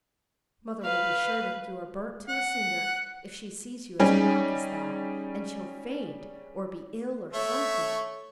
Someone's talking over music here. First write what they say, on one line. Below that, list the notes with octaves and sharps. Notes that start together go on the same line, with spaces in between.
Mother will be sure to think you are burnt to a cinder if she sees you as black as that, and she'll faint or be ill or something.
B4 F5
F#5
G3 C#4 D#4 G#4
A3 C#5 E5